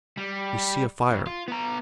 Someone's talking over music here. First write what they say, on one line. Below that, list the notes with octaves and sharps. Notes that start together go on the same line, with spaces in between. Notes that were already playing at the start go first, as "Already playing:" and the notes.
We see a fire.
G3
F2
F4
B3 A#5